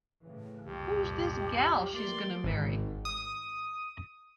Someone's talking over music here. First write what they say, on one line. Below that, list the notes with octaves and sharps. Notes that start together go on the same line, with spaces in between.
Who's this gal she's gonna marry?
A2 C#3 E3
C2 F2 A#2 F3 G4
E3 A3 A#3 D5 C6
G#1
D#6